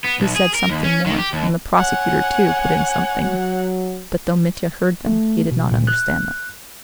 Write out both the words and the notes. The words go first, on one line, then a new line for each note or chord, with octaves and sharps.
He said something more, and the prosecutor, too, put in something, but though Mitya heard them he did not understand them.
B3
B1
G#4
A#4
D#2
C#4
D#3
G4
D#2
C#5 F#5 G#5
F#3
A3
B2
A#2
F#6